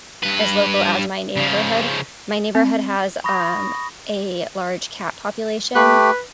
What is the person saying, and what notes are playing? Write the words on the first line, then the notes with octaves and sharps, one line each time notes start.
as local as my neighborhood- my neighborhood has, um, a large cat population,
G2 B4
C#3 F3
C4
B5 C#6 D#6 A#6
A3 G4 B4